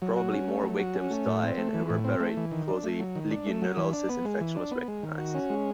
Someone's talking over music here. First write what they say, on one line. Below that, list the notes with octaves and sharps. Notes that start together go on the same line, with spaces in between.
Probably more victims died and were buried before the legionellosis infection was recognized.
F#3
F#4
C#4
A3
F#3
F#4
C#4
A3
A2
C4
A3
E3
A2
C4
A3
E3
D#3
D4
A3
F#3
D#3
D4
A3
F#3
E3
D4
B3
G#3
E3
D4
B3
G#3
D#3
F#4
C#4
G#3